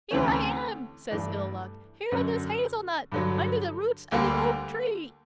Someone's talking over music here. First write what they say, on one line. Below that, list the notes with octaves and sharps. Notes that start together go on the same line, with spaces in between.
"Here I am," says Ill-Luck--"here in this hazel-nut, under the roots of the oak-tree."
D2 C3 E3 A3 C#4
G2 E3 A3 D4
F#2 D3 F#3
G2 D3 F#3
D2 D3 G3 A#3